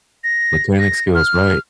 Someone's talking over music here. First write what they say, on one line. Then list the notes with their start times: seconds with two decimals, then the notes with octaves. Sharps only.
Mechanic skills, right?
0.24 A#6
0.79 A#6
1.15 F6